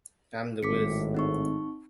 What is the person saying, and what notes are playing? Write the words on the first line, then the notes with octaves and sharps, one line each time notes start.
I'm the Wiz!
G#1 A2 D6 B6 C#7
C4 D#4 C#6